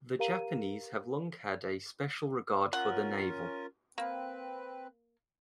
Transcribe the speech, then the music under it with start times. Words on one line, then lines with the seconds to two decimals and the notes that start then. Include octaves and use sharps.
The Japanese have long had a special regard for the navel.
0.19 G4 A#4 F5 A#5 D#7
2.73 C#4 F4 A#4 F#5
3.98 A#3 C4 B4